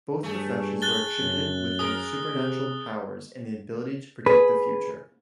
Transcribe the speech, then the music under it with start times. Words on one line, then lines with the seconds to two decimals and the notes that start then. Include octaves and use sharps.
Both professions were attributed with supernatural powers and the ability to predict the future.
0.23 G2 A3 G#4
0.82 F#6 A6 G7
1.19 F#2
1.79 G#4 A#4 D#6
2.34 C3
4.26 G#4 B4